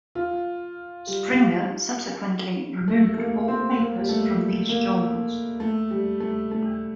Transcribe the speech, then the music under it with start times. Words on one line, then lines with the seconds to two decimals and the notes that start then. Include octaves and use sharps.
Springer subsequently removed all the papers from these journals.
0.15 F4
1.07 G3
2.88 A3
3.14 A3
3.18 A#3
3.48 C4
3.79 A#3
3.99 G3
4.09 A3
4.69 A#3
5.60 A3
5.91 G3
6.20 A3
6.51 A3